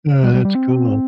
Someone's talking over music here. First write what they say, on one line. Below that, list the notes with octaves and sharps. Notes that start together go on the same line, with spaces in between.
Ah, that's cool.
G3
G3
G3
C4